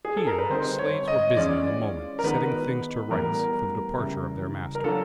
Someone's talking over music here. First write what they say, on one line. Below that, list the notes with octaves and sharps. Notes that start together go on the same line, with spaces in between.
Here slaves were busy in a moment setting things to rights for the departure of their master.
G#4
A4
A#4
B4
D3 G3 C4 D#4 C5
C#5
D#5
C#5
E3 G#3 C#4 F4 D5
A#4
D#3 G#3 B3 D#4 F#4 B4
A2 E3 G3 B3 A#4
C#3 E3 G3
A#4
F#3 A#3 D4 F4 A4